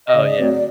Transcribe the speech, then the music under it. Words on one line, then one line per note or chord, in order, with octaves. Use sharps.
Oh, yeah.
D#5
C#3 D5
F#3 A3 C4